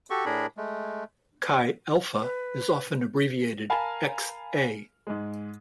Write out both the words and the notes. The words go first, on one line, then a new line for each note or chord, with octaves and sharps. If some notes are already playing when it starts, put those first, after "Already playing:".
Chi Alpha is often abbreviated ΧΑ.
F#4 G4 A4 C#6
A2 D4 G#4 A#4 B5
G#3 A3
B4
A#4 F5 G#5 A5 B5
G#2 G#3